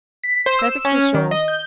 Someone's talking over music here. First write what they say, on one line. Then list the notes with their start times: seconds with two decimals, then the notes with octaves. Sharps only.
"Perfectly sure."
0.24 B6
0.46 C5
0.59 E6
0.85 C#4
1.14 D#3
1.31 D#5
1.48 G6